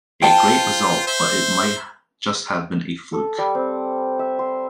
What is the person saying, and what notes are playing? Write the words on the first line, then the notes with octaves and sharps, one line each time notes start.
A great result, but it might just have been a fluke.
F4 C5 G5 A5
C5 E5
A4
G3
C4
E5
C6